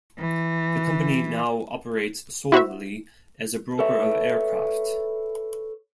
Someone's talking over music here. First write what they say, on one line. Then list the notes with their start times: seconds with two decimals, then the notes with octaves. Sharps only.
The company now operates solely as a broker of aircraft.
0.18 E3
2.52 E4 F#4 C5 E5
3.79 A4 B4 C#5 E5